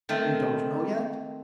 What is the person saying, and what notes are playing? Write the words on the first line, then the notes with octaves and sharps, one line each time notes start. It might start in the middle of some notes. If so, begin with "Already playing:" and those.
"You don't know yet?"
D#3 A3 C4